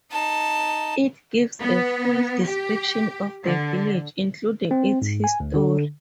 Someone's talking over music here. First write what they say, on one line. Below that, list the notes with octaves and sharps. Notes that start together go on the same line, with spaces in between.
It gives a full description of the Village, including its history.
D#4 A5
B3
G4
D3
C4
G#2
G#5
D2
D3